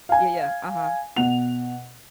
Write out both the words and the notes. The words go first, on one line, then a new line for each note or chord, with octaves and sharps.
Yeah, yeah. Uh-huh.
F5 G#5
B2 F#5 F7